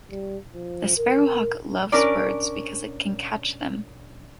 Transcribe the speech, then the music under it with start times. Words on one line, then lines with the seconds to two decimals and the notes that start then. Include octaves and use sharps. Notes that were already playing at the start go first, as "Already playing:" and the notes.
The sparrowhawk loves birds because it can catch them.
0.11 G3
0.54 F3
0.97 A#4
1.92 C#4 D4 A#4 D5